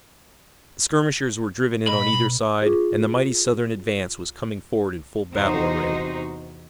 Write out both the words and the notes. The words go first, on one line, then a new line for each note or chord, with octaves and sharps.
The skirmishers were driven in on either side and the mighty Southern advance was coming forward in full battle array.
A#2 D#5 B5
B2
F4 G#4
E2 C3 D#4 F#4 C5